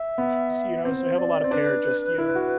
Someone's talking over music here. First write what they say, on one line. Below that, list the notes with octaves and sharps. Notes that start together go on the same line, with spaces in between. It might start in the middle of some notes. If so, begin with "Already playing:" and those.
s you know, so I have a lot of pair just, you know,
Already playing: E5
B3
C4 C5
D5
C4
D4 B4
E4
F#4